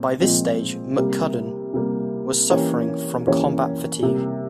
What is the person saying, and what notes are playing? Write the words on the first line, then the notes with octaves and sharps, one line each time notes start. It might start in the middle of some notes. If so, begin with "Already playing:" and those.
By this stage McCudden was suffering from combat fatigue.
Already playing: A#2 G#3 C4
A#2 F3 G#3 C4
C3 G3 A#3
C3 G3 A#3
E3 A#3 C#4 G4 C#5
E3 A#3 C#4 G4 C#5
C3 G3 A#3